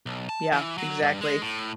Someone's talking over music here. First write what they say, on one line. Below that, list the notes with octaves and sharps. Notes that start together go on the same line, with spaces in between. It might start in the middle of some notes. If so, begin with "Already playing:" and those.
Yeah, exactly.
B1
A5
E3
F#3
G2
G#3
A2